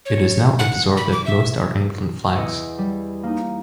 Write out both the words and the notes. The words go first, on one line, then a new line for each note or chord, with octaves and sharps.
It is now observed that most are England flags.
C#5
F#5
B5
D6
E5
E2 D#5 E6 C#7 D7
G3
A#3 D#4